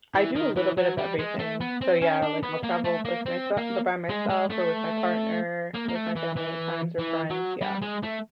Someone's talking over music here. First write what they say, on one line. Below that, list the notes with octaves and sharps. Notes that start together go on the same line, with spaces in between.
I do a little bit of everything. So, yeah, like, I'll travel with myself b by myself or with my partner, with my family at times or friends, yeah,
E3
D#3
E3
F#3
G3
G#3
A3
B3
C4
C#4
D4
B3
A#3
A3
A#3
C4
A#3
G#3
G#3
A3
A#3
A#3
A3
E3
E3
E3
F#3
G3
G#3
A3